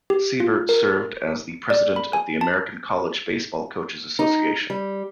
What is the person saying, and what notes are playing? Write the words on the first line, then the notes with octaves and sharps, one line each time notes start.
Siebert served as the president of the American College Baseball Coaches Association.
G4
F4
A#4
D5
B5
G#5
A5
D#4
G3